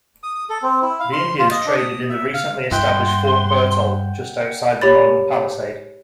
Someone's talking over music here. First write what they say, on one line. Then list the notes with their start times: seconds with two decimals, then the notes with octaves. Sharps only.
The Indians traded in the recently established Fort Berthold just outside the northern palisade.
0.23 D#6
0.50 A4
0.62 C4
0.82 E4
1.00 F5
1.12 C6
1.39 F4
1.51 D#5
1.66 D4
1.78 D#6
2.10 E5
2.34 F5
2.71 G2 E5 F#5 G5 C6
4.81 G4 C#5 B5 A6